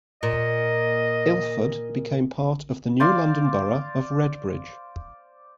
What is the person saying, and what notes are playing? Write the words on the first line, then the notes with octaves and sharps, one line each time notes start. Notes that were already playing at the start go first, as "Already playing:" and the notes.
Ilford became part of the new London Borough of Redbridge.
A#2 D#5
C5 D5 F5 C6